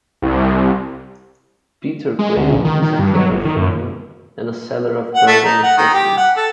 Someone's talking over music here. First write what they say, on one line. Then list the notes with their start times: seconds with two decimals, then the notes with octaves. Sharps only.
Peter Quail is a cattle farmer and a seller of garden accessories.
0.22 C2
2.19 G#3
2.37 D2
2.52 A#1
2.65 D#3
2.82 D#3
2.99 G2
3.14 F#3
3.31 G1
3.45 D#3
3.56 F#2
5.14 F#5
5.27 A3
5.44 D#4
5.63 F#5
5.77 D#3
5.94 G4
6.17 F#5
6.36 A4